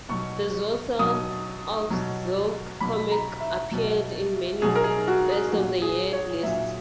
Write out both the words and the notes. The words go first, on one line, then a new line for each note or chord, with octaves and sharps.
The Zaucer of Zilk comic appeared in many 'best of the year' lists.
B2 F#3 C#6
B2 F#3 D#6
B2 F#3
B2 F#3 B5
A#5
E5
B2 F#3
B2 F#3 G#4
A#4
G#4
F#4
G#4
A#2 F#3 F#4
G#4
C#5
A#2 F#3 E5